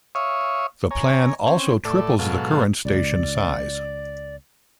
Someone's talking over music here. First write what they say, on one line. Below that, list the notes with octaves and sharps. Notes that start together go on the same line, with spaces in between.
The plan also triples the current station size.
C#5 E5 F5 C#6 D#6
C#5 G#5 A#5
C4 C#4
A2 A4 D5
G#2 B2 F#3 A4 F5
C#2 D5